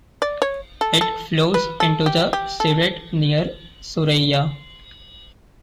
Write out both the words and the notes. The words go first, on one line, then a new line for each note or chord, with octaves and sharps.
It flows into the Siret near Suraia.
D5
C#5
A4
A4
B4
A4
G4
G4
A4